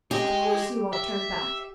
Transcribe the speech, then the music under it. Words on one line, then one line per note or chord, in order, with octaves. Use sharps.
Of course you won't turn back.
G4 G#4 D#5
E5